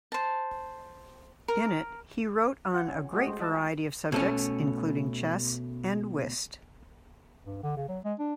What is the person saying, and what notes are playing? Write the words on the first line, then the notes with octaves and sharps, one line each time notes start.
In it he wrote on a great variety of subjects, including chess and whist.
C5 A5
A#4
F4 F#5
C#4 G#5
G#3 A3 F#4 G4 D#5
G#3 C5
F4 D#5 A5
G#5
B2 A3 C#4
G2
D3
C#3
F#3
G#3
D4